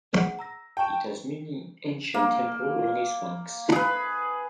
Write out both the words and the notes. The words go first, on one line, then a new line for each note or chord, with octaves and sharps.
It has many ancient temples along its banks.
G#4 F#5
A#5 E6 A#6
G5 A5 C#6 E7
A#3
G#4 B4